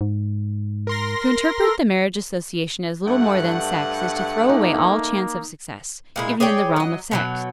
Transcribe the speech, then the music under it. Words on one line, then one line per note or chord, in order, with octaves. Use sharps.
To interpret the marriage association as little more than sex is to throw away all chance of success, even in the realm of sex.
G#2
A#4 C6 A#6
A4
G2 A3 F#5
A#3 D#4
A#2 G#3 E4
G#4 C#5 D5 G5
F#3 D#5
B2 D#3 F#3